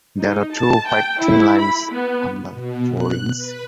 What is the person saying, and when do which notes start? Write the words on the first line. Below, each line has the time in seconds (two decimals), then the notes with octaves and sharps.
There are two white thin lines on the forewings.
0.21 D#4
0.56 A5
0.88 G5
1.21 E4
1.60 B5
1.93 B3
2.53 B2
2.94 F#6
3.37 B4